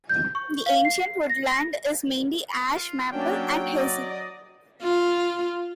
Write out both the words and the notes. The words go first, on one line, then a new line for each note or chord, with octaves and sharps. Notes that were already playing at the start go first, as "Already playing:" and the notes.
This ancient woodland is mainly ash, maple and hazel.
G6
C#6
F5
C7
A#6
F4
F#3 A#3 C#4 D4 G5
D5 D#5
F4